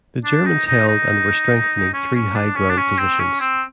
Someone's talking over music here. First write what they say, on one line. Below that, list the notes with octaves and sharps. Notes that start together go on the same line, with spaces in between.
The Germans held and were strengthening three high-ground positions.
D4
D#4
D#4
D#4
C#4
C#4
D4
C#4
D4
C#4
C4
C#4
C4